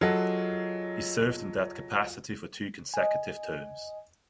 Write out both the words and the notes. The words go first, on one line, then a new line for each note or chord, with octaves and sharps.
He served in that capacity for two consecutive terms.
F#3 F4 G#4 A4 D#5 F#5
D#5 G#5